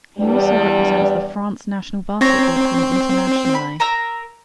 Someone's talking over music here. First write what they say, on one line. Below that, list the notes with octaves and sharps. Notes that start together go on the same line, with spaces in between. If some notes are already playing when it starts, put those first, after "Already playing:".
He also represents the France national basketball team internationally.
E2 G3 D4
C4 C#5 A#5
B5
A#4 A#5 E6